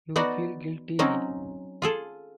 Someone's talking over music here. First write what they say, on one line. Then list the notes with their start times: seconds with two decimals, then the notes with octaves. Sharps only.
You feel guilty.
0.16 B3 D#4 F#4 D5
0.99 F#3 C4 C#4 D#4
1.82 F4 G#4 A4